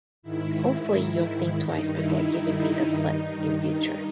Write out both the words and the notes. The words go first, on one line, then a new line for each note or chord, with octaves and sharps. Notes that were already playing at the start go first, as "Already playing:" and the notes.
Hopefully, you'll think twice before giving me the slip in future.
G#2 D#3 E4
E4
G2 D#3 D#4
E4
D#4
G2 D#3